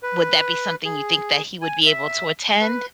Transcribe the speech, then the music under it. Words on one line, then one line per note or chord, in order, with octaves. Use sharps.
would that be something you think that he would be able to attend?
B4
G#4
G#5
E5
B4